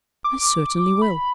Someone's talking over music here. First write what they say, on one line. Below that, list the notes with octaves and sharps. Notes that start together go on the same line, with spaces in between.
"I certainly will."
D6
B5